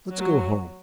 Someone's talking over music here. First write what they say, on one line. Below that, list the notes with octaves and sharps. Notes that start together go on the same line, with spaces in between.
Let's go home.
F#3